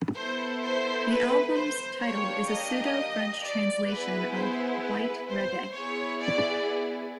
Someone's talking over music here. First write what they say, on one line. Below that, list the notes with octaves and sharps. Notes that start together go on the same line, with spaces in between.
The album's title is a pseudo-French translation of "white reggae".
B3 E4 A4 C5
C5
B4
C5
A#3 D4 G4 C#5
D#5
D5
B3 E4 G#4 B4
C5
B4
C5
B3 E4 G#4 C#5
D5